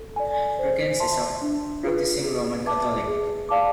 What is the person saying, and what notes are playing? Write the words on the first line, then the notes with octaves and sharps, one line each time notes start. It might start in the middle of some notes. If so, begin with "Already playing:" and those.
Perkins is a practicing Roman Catholic.
Already playing: A4
D5 G#5
C5
E5 A5 C6
D4
F4 G#4 B4
G#4
B4 E5 A5 D6
G#4
D5 F5 A5 D6